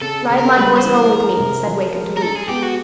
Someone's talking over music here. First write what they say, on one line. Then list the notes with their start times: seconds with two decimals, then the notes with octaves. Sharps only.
"Ride my horse home with me," said Wakem to Luke.
0.02 C#3 A4
0.30 C#3
0.38 A#4
0.57 G3 B4
0.76 C5
0.85 E3
0.94 A#4
1.12 G#3
1.39 C3
1.67 F3
1.95 G#3
2.17 A#4
2.22 G#3 A4
2.36 G#4
2.49 B3 G4
2.63 F#4